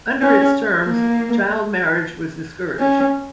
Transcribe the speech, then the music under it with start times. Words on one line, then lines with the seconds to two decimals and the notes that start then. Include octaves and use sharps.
Under its terms child marriage was discouraged.
0.22 C#4
0.87 A#3
2.79 C#4